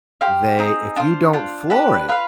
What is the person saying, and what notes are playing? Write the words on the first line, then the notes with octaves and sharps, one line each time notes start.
they if you don't floor it
G4 C5 F5
C4 D#4 G#4
D4 F4 C5
D4 F4 C5
D4 G4 B4
F4 B4 F5